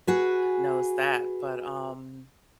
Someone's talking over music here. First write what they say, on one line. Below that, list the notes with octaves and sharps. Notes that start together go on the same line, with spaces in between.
knows that, but, um
F#4 G#4 B4